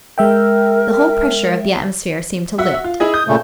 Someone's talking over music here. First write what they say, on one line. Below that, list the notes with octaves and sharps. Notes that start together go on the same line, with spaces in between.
The whole pressure of the atmosphere seemed to lift.
G#3 A#4 E5 G5
F#4 E5 F#5
F4
E4 G#4 D#5
D#6 G6
A#2 C#3 A3